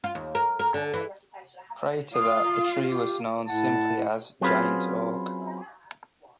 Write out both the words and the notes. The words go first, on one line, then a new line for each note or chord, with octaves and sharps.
Prior to that, the tree was known simply as Giant Oak.
F4
D#2
A#4
A#4
D3
E3
F4 D#6
G4
A2 F#5 A5
F#3 C4 C#4 F4 G#4 B4